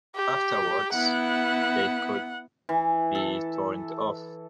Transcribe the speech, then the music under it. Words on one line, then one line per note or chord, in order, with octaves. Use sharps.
Afterwards, they could be turned off.
G4
B3 E4 F#5
E3
A4